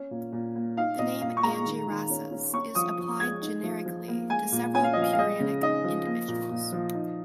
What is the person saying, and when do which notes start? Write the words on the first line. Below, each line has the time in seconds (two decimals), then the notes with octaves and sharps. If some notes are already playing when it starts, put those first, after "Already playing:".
The name Angirasas is applied generically to several Puranic individuals.
Already playing: C#4
0.11 A#2
0.32 A#2
0.55 A#3
0.77 D#4 F5
0.99 A#2 D#5
1.21 A#2 F5
1.37 C#6
1.43 G#3 A#5
1.65 D#3
1.88 D#3
2.10 C#4
2.31 C#4
2.53 C#4 C#6
2.75 F3 D#6
2.98 F3
3.20 G#3 G#6
3.42 D#4
3.63 F3
3.86 F3
4.08 A#3
4.30 G#3 G#5
4.52 A#2
4.75 C#4 G#5
4.84 F5
4.93 F3 D#5
5.02 F5
5.13 F5
5.18 G#3 D#5
5.40 C#3
5.62 D#4 D#5
5.84 F3
6.07 A#3
6.28 A#2
6.51 A#2
6.72 F3
6.95 D#4